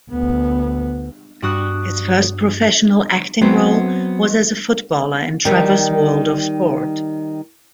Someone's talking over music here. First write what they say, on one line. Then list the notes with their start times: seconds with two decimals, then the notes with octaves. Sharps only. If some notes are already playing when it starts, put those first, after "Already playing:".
His first professional acting role was as a footballer in "Trevor's World of Sport".
0.11 D2 B3
1.42 G2 D4 F#4 D#6 F#6
3.41 F#3 B3 C4
5.45 D#3 G3